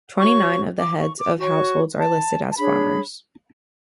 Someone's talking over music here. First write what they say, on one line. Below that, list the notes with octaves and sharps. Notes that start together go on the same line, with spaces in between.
Twenty-nine of the heads of households are listed as farmers.
F#4 C#5 C#6
D6
C#6
D6
F#4 C#5 C#6
A5
A5
D4 G#4 C#5 B5